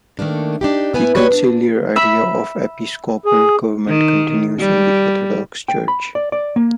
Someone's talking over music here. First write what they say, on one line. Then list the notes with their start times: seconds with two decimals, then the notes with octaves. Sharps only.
The conciliar idea of episcopal government continues in the Orthodox Church.
0.19 D#3 A3 A#3 D4
0.61 D4 D#4 G4
0.94 A2 B3 E4 G#5
1.15 F#4 G4 B4 C#5 D5
1.31 D4
1.96 E5 B5
3.26 G#4
3.88 D#3
4.59 G3
5.68 G5
5.88 B5
6.15 D5
6.32 D5
6.56 A#3